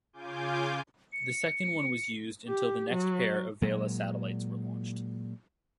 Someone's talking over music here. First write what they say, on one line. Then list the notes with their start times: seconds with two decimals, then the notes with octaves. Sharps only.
The second one was used until the next pair of Vela satellites were launched.
0.13 C#3 F4 G#5 D6 G6
1.13 C#7
2.48 G4
2.91 F#3
3.62 A#2 F#3 G#3